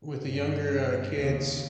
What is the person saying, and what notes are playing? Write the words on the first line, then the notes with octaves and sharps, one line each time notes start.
with the younger, uh kids,
G2
D#2 C#3